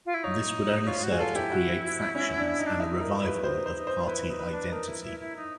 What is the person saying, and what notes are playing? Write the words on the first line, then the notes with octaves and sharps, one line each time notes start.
This would only serve to create factions and a revival of party identity.
F4
E4
D#4 C#5
F4 C#5
F#4
G#4
F4 A4
E4 G4
F#4
C#4
D4
D#4
D4
D#4 E4
A#4
B4
D#4 C5
C5
D#4
C5
F4
E4 B4
D#4
B4
D4
D#4 A#4
E4
E4
E4
D#4